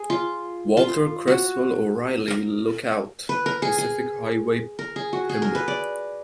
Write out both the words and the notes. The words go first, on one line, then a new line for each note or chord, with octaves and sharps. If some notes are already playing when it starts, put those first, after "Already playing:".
Walter Cresswell O'Reilly lookout, Pacific Highway, Pymble.
Already playing: G#4
F4
F4
F#4
A#4
B4
A#4
G#4
G#4
A#4
G#4
F#4
G#4
A#4
B4
D5